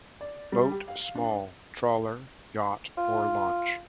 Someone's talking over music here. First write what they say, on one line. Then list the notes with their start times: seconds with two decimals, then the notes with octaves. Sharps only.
Boat small—trawler, yacht, or launch.
0.21 D5
0.52 G3
0.72 G4
0.88 F5
1.15 D4
2.97 F4